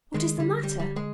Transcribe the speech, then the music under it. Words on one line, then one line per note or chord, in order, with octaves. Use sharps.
'What is the matter?
D#3 G#3
D3 G3
G3
G3
G#3